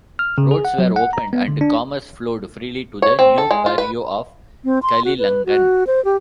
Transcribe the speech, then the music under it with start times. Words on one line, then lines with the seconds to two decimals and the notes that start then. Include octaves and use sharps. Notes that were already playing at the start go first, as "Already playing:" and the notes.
Roads were opened and commerce flowed freely to the new barrio of Kalilangan.
0.19 F6
0.38 C#3
0.51 G#4
0.65 F#5
0.78 F#3
0.96 F#5
1.13 A#5
1.33 B3
1.48 D3
1.61 D4
3.02 C#5
3.19 C4
3.38 A4
3.51 G#3
3.66 F4
3.78 B4
4.64 C4
4.83 C6
5.05 F#4
5.18 B4
5.46 F#4
5.87 C5
6.05 G4